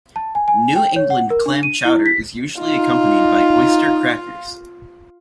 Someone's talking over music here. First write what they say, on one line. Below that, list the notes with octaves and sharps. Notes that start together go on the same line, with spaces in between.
New England clam chowder is usually accompanied by oyster crackers.
A5
G#5
G#5
G5
C#5
F#5
A#4
D4
D#7
E4
B6
D#4 F4